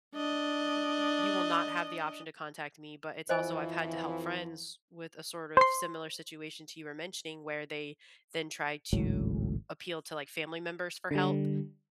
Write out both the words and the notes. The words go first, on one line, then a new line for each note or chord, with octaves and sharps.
you will not have the option to contact me." But it's also I've had to help friends with a sort of similar situation to you were mentioning where they then try to appeal to, like, family members for help,
D4 D#5
F2 E3 F3 C5 D#5 G#5
C5 C6
G#1 C#2 A2 F#3
D3 G3